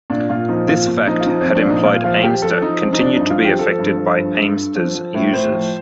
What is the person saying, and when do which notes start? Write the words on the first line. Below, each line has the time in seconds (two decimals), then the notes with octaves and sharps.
This fact had implied Aimster continued to be affected by Aimster's users.
0.10 A#2 D4
0.29 A#2 F4
0.48 F3 D#4
0.68 A#2 F4
0.87 A#2
1.07 F3 D#4
1.20 F4
1.26 F3 D#4
1.41 F3 C4
1.55 D4
1.64 A#2
1.69 D#4
1.84 A#2 F4
2.04 F3 F4
2.23 F3 G4
2.42 F3 A4
2.62 F3 D#4
2.81 F3 C4
2.93 D#4
3.00 F3 D4
3.15 G2 D#4
3.30 F4
3.40 F3 G4
3.59 F3 A4
3.78 G2
3.97 F3
4.17 G2
4.37 G2
4.56 G2
4.75 F3
4.94 F3
5.14 A2
5.33 A2 C5
5.52 F3